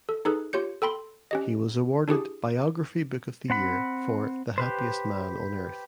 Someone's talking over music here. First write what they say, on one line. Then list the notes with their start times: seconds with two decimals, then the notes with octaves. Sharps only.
He was awarded "Biography Book of the Year" for "The Happiest Man on Earth".
0.09 A4
0.25 D#4 G#4 A4 B4
0.53 F4 G4 C#5 G6 C#7
0.82 A4 G5 B5 C6
1.31 C#4 G4 D#5
2.08 D4 E4 G4 G#4
3.50 C4 F#5 B5
4.58 G4 B4 C5